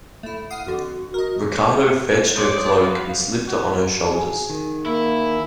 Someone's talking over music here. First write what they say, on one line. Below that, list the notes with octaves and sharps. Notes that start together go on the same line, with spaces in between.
Ricardo fetched her cloak and slipped it on her shoulders.
A3 E4
F5 F#5 D#6 C7
F2 D3 F#4
A#4 D#5
C#5 D5 C6 D#6 G6
F#4 B4 F5
F#4
G#4
D#3
A#3 E4